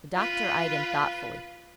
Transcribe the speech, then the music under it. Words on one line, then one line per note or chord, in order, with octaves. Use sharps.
The doctor eyed him thoughtfully.
F4 B4